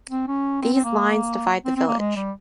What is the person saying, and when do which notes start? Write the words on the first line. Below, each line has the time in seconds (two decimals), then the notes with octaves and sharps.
These lines divide the village.
0.10 C4
0.27 C#4
0.62 C4
0.73 C4
0.85 A#3
1.65 C4
1.76 C4
1.87 A#3
1.98 G#3
2.16 G3